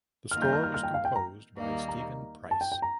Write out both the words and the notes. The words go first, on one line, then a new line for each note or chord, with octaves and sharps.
The score was composed by Steven Price.
D#3 G3 A#3 F4 A#4 F6
G6
F6
F6
F6
G5
F5
G5
A#5
D#2 D#3 G3 A#3 D#4
A#5
A5
G5
G5
A#5